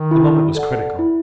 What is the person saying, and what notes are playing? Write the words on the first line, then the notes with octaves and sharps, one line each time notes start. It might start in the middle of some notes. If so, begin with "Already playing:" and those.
The moment was critical.
Already playing: D#3
E4
A4 D5 F#5
E4